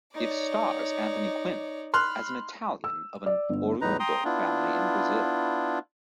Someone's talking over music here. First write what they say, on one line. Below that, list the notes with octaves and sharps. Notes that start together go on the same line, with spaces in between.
It stars Anthony Quinn as an Italian of an "oriundo" family in Brazil.
D#4 C#5 D5
B5 C6 F6 F#6
E6
D5
G1
E2 A2 D#4 B4 A#5
G5 A#5 C6 D#6
B3 D4 E4 F4